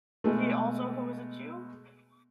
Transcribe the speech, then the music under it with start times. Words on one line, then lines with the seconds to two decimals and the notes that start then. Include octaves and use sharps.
See also Who is a Jew?
0.24 B2 G#3 A3